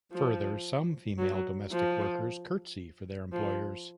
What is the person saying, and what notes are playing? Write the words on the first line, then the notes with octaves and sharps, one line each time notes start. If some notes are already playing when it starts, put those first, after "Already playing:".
Further, some female domestic workers curtsey for their employers.
F3
F#3
F3
F3